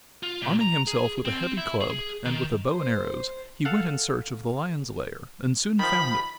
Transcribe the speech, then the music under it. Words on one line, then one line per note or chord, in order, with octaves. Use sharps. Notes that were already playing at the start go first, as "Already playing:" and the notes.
Arming himself with a heavy club and with a bow and arrows, he went in search of the lion's lair and soon found it.
F4
A#2
A#5
G#4
C4
E4
G#4
D#3
C5
A4 F5 F#5
D#3 F3 B5